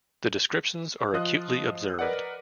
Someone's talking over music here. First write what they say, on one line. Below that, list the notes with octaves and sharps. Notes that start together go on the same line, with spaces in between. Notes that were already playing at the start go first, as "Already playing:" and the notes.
The descriptions are acutely observed.
F3 F4 D#5 D#6 F#6
A#4 B4 D5 D#5 F#5